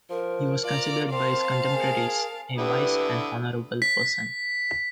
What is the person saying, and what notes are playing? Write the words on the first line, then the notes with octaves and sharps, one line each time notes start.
He was considered by his contemporaries a wise and honorable person.
F3 A#4
F4 D5 A#5
C4 F5 A5 C6
G#4 A#4
D3 E4 G4 B4 D#6
B6